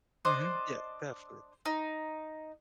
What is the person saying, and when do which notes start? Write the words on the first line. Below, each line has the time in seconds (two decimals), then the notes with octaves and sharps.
Mhm, yeah, definitely.
0.25 D4 C5 D5 D#5
1.65 D#4